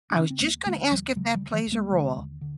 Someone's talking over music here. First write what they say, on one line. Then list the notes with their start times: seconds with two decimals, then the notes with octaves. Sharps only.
I was just gonna ask if that plays a role.
0.11 D4
0.16 C#3 C#4
0.30 C4
0.41 D#2 A3 B3
0.66 D3 G#3 A#3
0.91 D#2 F3 G3
1.16 C#3 F#3 G#3
1.35 F3 G3
1.41 D2
1.53 E3 F#3
1.66 D2
1.72 G#3 A#3
1.92 D3
2.17 D#2
2.41 D3